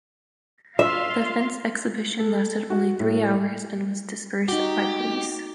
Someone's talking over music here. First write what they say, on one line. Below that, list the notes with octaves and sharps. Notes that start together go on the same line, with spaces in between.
The fence exhibition lasted only three hours and was dispersed by police.
F4 E5 F5 C6
A4
F#4
A2
D#4 F#4 G4